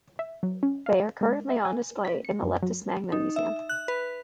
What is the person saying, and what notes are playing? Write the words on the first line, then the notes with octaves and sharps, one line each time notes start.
They are currently on display in the Leptis Magna Museum.
E5
F#3
C#4
F5
G#3
E5
G#5
B6
C#7
F#2
F#3
D#4
E5
F#6
B4